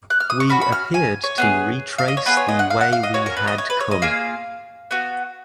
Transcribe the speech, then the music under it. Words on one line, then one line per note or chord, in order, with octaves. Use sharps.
We appeared to retrace the way we had come.
F#6
F6
D#6
C#6
C#4 F#4 B5
B5
F6
G#5
C#5
B3 F4 G#4
F5
D#5
C#5
B3 F4 G#4 B4
C#5
D#5
F#5
F5
F#5
F5
D#5
C#4 F#4 C#5
A#4
B4
D#5
C#5
B4
C#5
D#5
A#3 F4 G#4 F5
B3 F#4